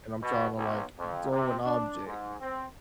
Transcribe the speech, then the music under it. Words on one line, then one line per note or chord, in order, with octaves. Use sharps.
and I'm trying to, like, throw an object,
B2
B1
F2
C3
D4
G#2
C4